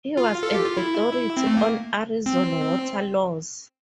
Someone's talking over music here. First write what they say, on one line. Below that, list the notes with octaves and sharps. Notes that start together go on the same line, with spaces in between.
He was an authority on Arizona water laws.
F4
A4
G4
F4
E4
C4
A3
A#3
C4